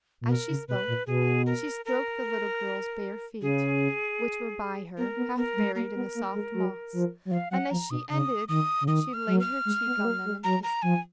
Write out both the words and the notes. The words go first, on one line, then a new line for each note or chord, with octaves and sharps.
As she spoke, she stroked the little girl's bare feet, which were by her, half buried in the soft moss, and as she ended she laid her cheek on them and kissed them.
A#2
B2 A#4
C#3
B2 B4
A#2
B2 G#4
A#4
A#4
C#3 G#4
B3 A#4
B3
B3 A#4
G#3
A#3 A#4
B3
A#3
G#3
F#3
F3
F#3
F3 F5
F#3 F#5
F3 A#5
B2 D#6
C#3 D#6
D#3 D#6
C#3
D#3 D#6
F6
F#3
F6
G#3
B3
G#3
A#3
G#3
F#3 A#5
A#5
F3 G#5